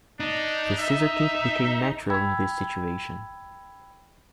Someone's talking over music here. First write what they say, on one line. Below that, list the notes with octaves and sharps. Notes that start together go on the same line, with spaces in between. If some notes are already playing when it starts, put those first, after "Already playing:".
The scissor kick became natural in this situation.
D4 D#4
E5
G5 B5 E6 G#6